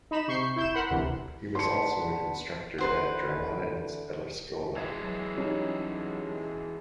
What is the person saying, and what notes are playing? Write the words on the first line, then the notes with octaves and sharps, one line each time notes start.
He was also an instructor at Dramatens elevskola.
D#4 B5 E7
C3 C#6 G6 C7
E4 G6 E7
A#4 F#5 B5 C6
D2 C3 E3
B3 D4 B4 C6 C#7
D3 E3 B4 C5 F#5
E3 G#3 G#6
F#3
G3 C#4 D#4